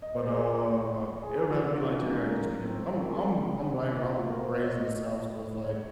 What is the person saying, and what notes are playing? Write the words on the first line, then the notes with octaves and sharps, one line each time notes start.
but, uh, it would have to be like teriyaki chicken, I'm I'm I'm black and I'm raised in the South, so it's like,
D#5
C5
G#4
G#4
A#4
F#4
F#4
F4
D#4
C#4
G#3
G#3
A#3
F#3
C4
C4
A#3
G#3
F4
F#4
A#4
C5
D#5
C#5
D#5
C#5